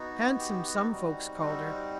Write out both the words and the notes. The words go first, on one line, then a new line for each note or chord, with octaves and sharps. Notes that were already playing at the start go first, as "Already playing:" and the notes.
Handsome, some folks called her.
Already playing: B3 D#4 F#4
G4
G3 C4 D#4 F#4
F#4